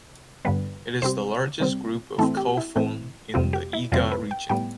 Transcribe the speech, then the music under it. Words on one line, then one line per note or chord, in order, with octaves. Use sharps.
It is the largest group of "kofun" in the Iga region.
G2 D3 G3 B3 B4
C3 G3 C4 C5
C3 G3 C4
A2 E3 A3 C4 A4
G4
E4
A2 E3 A3 C4
F2 C3 G3 C4 F4
G4
E4
F2 C3 G3 C4 F4
B4
G5
A2 G3 B3 G5